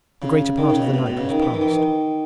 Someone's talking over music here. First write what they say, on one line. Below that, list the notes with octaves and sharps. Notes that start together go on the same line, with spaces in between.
The greater part of the night was past.
C#3
D#3
C#3
B2
A2
B2
C#3
D#3
E3
D#3
E3
D#3